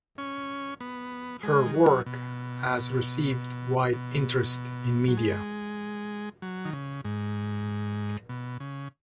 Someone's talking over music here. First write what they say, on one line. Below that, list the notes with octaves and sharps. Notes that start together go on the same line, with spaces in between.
Her work has received wide interest in media.
C#4
B3
G#3
D#3
F#3
B2
B2
F#3
G#3
F#3
D#3
C#3
G#2
B2
C#3